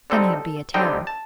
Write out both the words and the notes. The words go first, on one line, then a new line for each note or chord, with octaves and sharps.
Then he'd be a terror.
D3 G3 C4 D#4 A4
D3 G3 C4 D#4 G5
A5